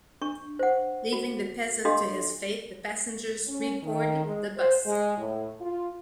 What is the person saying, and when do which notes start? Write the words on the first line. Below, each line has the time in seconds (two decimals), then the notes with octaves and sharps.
Leaving the peasant to his fate, the passengers reboard the bus.
0.22 D4 C#6
0.59 C5 F#5
1.13 F#4
1.85 D4 G4 A4 D#5 F5 C6
3.48 C#4
3.83 D#3
4.24 G#3
4.57 C5
4.86 G#3
5.18 A2
5.61 F4